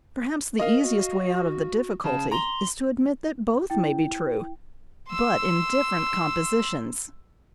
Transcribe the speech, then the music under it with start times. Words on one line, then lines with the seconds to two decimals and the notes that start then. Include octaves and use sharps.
Perhaps the easiest way out of the difficulty is to admit that both may be true--but in different compositions.
0.59 A#4 D#5 F5
0.83 F#4
2.04 C#3 A5
2.32 A#5 C6
3.70 E4 G5
5.09 C6 E6